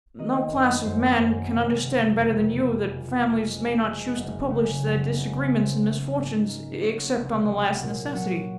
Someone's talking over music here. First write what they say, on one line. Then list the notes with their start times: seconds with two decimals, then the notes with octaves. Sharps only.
No class of man can understand better than you, that families may not choose to publish their disagreements and misfortunes, except on the last necessity.
0.19 D#3 D#5
0.52 F#2
0.85 F#2 C5
1.18 F#2
1.52 C3
1.85 F#1
2.17 F2 A#4
2.51 F#1
2.84 G#3
3.17 G#3
3.50 G#3
3.84 G#3
4.16 F#1
4.50 C#3
4.84 F#1
5.17 C#3
5.50 A#3 C5
5.83 C#4
6.16 G#2
6.49 A#3
6.82 F#3 C#5
7.16 C2
7.49 F#3
7.83 A#2
8.15 F#3 F#5